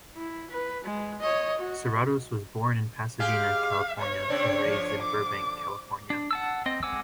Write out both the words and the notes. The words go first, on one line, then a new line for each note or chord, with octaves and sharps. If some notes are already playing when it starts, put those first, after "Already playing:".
Serratos was born in Pasadena, California and raised in Burbank, California.
E4
B4
G#3
C#5 D#5
F#4
G#3 G4 G#4 F5
B2 C#5
C#3 C4 D4
D3 F3
D6
D4
F#5 A5 E6
C4 D#5
G#3 F#5 G#5 D6 E6